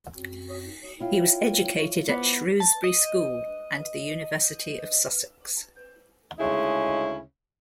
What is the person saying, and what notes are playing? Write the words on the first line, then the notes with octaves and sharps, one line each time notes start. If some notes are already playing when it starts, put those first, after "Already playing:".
He was educated at Shrewsbury School and the University of Sussex.
F#2 C4 F#4
E4 F4 C#5 G5
B3 C5 D6
A5
D#5
D2 C#3 G#3 C#4 D#4 E4